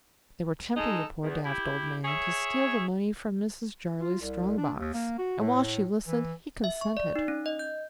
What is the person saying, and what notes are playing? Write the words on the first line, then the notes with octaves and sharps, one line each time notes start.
They were tempting the poor daft old man to steal the money from Mrs. Jarley's strong box, and while she listened he consented.
G#3 D#4 A4
E2
E4 G4
G#4 C#5 E5
F4
C2
D4
D#2
A#3
F#4
A2
E3
E5
C#6
D5
D#4
C#4
D#5
G6